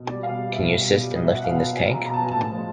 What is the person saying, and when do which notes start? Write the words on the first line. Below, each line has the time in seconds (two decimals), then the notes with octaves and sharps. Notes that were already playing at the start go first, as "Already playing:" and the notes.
Can you assist in lifting this tank?
Already playing: B2
0.08 G3 D5
0.23 B2 F5
0.39 G3
0.53 B2 E5
0.69 G3
0.84 B2
1.00 G3
1.15 B2 D#5
1.24 E5
1.29 F#3
1.35 F#5
1.44 B2 F5
1.54 F#5
1.60 F#3
1.75 B2 G#5
1.90 F#3 A#5
2.06 B2 A#5
2.14 A5
2.21 F#3 G#5
2.32 A2 A5
2.51 F3 G#3